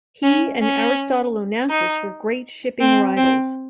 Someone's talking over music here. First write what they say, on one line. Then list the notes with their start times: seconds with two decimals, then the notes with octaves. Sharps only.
He and Aristotle Onassis were great shipping rivals.
0.23 C#4
0.61 C#4
1.70 D#4
2.80 C4
3.17 C4